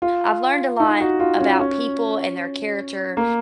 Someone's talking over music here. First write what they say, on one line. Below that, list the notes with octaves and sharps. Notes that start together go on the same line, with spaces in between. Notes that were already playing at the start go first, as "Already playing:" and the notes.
I've learned a lot about people and their character
F4
D#4
F#4
F4
C#4
C#4
A#3